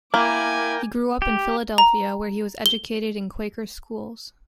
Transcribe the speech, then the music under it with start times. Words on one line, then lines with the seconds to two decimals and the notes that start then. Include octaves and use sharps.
He grew up in Philadelphia where he was educated in Quaker schools.
0.14 A#3 E4 A#4 G5 G#5 D6
1.22 G4
1.78 A#5
2.66 G7